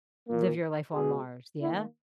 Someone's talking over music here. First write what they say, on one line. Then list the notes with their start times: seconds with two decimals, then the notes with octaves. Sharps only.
live your life on Mars. Yeah?
0.28 A#2 A#3
0.93 B2 G#3 B3 G#4
1.60 D#3 A#3 E4